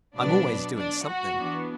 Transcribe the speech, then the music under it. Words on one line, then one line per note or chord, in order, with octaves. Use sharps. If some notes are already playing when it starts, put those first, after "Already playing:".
I'm always doing something.
B2 F#3 B3 D4 D5
D4 D5
F#4 F#5
E3 B3 D4